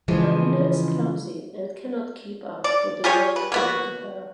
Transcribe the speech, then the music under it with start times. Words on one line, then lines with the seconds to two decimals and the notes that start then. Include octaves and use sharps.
Amina is clumsy and cannot keep up with the work given to her.
0.08 C#3 E3 F3 G#3
2.64 D5
3.04 F4 G4 G#4 C#5
3.36 B4
3.52 A#3 B3 F#4